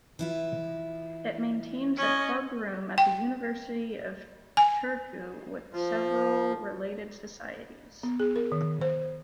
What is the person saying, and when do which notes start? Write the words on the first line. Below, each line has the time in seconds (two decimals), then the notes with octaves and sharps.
It maintains a club room at the University of Turku with several related societies.
0.19 E3 E4 F4
1.97 C#4 D#5
2.98 G5
4.57 G#5
5.73 F3
8.03 B3
8.20 G#4
8.36 A#4
8.52 D#3
8.81 C5